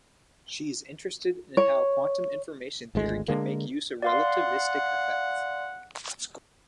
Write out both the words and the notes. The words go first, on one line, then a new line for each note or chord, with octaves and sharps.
She is interested in how quantum information theory can make use of relativistic effects.
C#5
G#1 D2 G#3
D3 G#3 A#3
D5 F5 F#5 C6